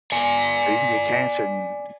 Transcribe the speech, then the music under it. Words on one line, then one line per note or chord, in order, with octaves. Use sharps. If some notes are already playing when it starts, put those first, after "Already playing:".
So you can get cancer n
D5 G#5